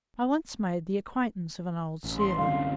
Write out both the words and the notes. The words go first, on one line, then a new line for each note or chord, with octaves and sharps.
I once made the acquaintance of an old sealer.
A1
C6
C2 F#2 D3 F5